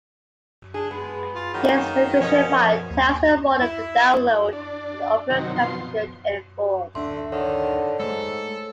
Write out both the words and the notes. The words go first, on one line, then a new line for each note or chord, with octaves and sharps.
This configuration file tells the modem the download and upload caps it should enforce.
D4 G#4
G#3 B3
F4 G#4
D#3 F#3 A#3
B2 F3 C4 C#4 A#4 C#5 D#5
D#2
E4
D4
C3 D#3 F#3
B2 F3 C6
D1 D3 A3 D4 E5 C6
D3 D#3 C#5
G#2 G#3 A3 A4